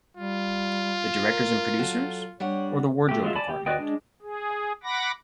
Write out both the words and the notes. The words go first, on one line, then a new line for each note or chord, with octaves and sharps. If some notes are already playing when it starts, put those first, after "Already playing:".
The directors and producers or the wardrobe department?
G3 F4
A#4
F#3 F#4 A4
G3 D4 C#5 F#5
A3 G4
F#3 G#3 C4 F4 E5
D5 G#5 A5 B5
G4
F#4 B4 D5 D#5 G5
G#3 D4
G#4
F#5 B5 D6 A#6